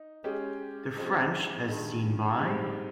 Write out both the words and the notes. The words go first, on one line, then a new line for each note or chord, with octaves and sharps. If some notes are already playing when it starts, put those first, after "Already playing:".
The French as Seen By...
Already playing: D#4
G#3 C#4 G4
G2 F3 G#3 C4 G4
G2 D#3 G#3
G#2 G3 C4